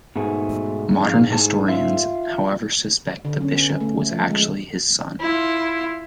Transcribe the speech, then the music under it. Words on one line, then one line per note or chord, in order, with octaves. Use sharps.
Modern historians however suspect the bishop was actually his son.
G#2 B2 A3 G#4
F2 F5
A2 G#4 A5
F4 E5 F5
D3
C#4
B3
A3
F3
G#3
E4 F4